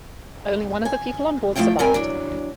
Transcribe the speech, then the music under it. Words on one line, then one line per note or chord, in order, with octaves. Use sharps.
Only one of the people on board survived.
G#5
F3 G#3 A3 D4 E4 G5
G3 C4 A#4 G#5
E2 F#3 D4